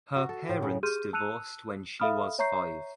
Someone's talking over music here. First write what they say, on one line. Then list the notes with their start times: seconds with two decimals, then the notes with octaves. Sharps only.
Her parents divorced when she was five.
0.16 F#4
0.29 A4
0.49 A2
0.62 C#3
0.83 G4 G#4 C6 F6 G6 D#7
1.13 A5 E6 F#6 C#7 D#7 F7
2.00 A4 E5 F5 B5 D#6 F6
2.39 C#5 E5 A#5 C#6 G6 C7